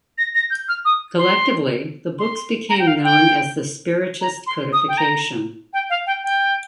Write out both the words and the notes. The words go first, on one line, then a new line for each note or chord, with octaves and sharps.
Collectively, the books became known as the Spiritist Codification.
A#6
A#6
G6
F6
D#6
C6
C6
A#5
G5
F5
G5
A#5
C6
D#6
G5
A#5
G5
F5
G5
G5